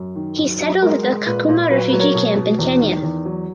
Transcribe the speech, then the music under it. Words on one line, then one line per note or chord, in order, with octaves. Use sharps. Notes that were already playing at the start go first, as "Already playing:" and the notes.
He settled at the Kakuma Refugee Camp in Kenya.
Already playing: F#2
D#3
F#2
F#3
G#3 A#4
G#3
A#2 B4
A#2
F#3 B4
F#3 B4
A#4 C#5
B2
B2
E2
D#3
E2
F#3